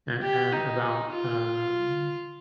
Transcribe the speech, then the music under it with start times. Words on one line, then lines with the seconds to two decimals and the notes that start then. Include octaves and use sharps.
at, uh about, um,
0.23 G4
0.52 D#4
1.11 F4